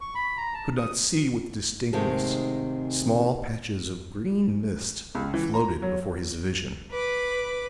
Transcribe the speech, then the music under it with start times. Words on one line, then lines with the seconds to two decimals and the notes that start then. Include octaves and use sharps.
He could not see with distinctness. Small patches of green mist floated before his vision.
0.01 C#6
0.15 B5
0.37 A#5
0.54 A5
0.77 D#6
1.93 G#2 C3 D#3 G#3 A3
5.15 C#2
5.34 E3
5.54 A#5
5.82 F#3
6.90 B4 D6